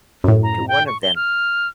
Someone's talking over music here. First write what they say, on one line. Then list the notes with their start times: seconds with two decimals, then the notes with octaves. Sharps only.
To one of them.
0.24 F#2 A2
0.43 A#5
0.68 G5
0.87 C#6
1.03 G7
1.16 F6